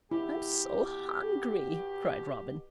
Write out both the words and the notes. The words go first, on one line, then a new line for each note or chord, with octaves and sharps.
"I'm so hungry," cried Robin.
B2 E4 G4